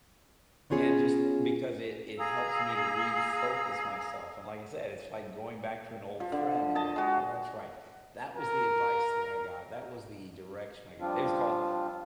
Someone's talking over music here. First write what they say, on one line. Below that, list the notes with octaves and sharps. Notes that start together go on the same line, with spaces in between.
and just because it it helps me to refocus myself and like I said, it's like going back to an old friend and going, "Oh, that's right. That was the advice that I got, that was the direction I got." It was called
B3 C#4 F4 G#4 C#5
G#4 F5 A#5 E6
F3
D3
D#5 A5
G#3 F#4
A#4
F3 G3 C4 D4 F4